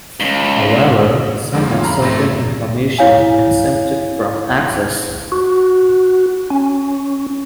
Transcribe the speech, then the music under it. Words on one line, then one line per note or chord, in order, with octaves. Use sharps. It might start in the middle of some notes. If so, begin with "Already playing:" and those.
However some have certain information exempted from access.
C#2 G2
B1 F2 C3 D#3 G#3
A#3 F4 C#5
F5 A#5 B5
G#2 A3 C4 A#6
E4 C#5 F5 G#5
F#4
C#4